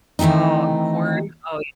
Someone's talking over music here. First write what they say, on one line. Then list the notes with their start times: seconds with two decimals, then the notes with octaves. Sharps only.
oh, corn? Oh
0.19 D#3 E3 A3 C4 D#4